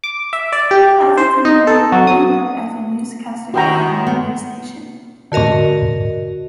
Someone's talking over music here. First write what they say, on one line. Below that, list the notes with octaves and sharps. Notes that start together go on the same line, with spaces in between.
As a teenager he already worked as a newscaster for a radio station.
D6
E5
D5
G4
C5
D#4
A4
F#3
D#6
F#2 D#3 E4 F#4 G5 A#5
B3
D3 F#4 A#4 D#5